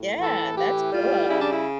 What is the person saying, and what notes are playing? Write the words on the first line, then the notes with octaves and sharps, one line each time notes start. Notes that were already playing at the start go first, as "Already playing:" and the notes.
Yeah, that's cool.
Already playing: A2
E3 A4
A2 G4
G3 F4
C#3 E4
D4
E4